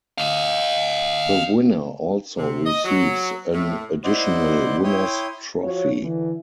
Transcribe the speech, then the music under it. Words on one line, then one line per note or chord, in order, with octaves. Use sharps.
The winner also receives an additional winner's trophy.
D#5 F5
C3
D#5
F#3
A2
E4 C5 D5 D#5 F#5 C6
E4 C#5 G5 C6 D#6
F3 F#4 C#5
D3 E3